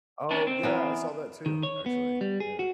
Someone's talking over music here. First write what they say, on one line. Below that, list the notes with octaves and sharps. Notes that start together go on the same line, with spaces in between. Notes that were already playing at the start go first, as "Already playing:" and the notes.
Oh, yeah. I saw that too, actually, yeah.
C#4 D4
C4
E3 B3 A#4
D#3
C#5
B3
G3
G#4
F#4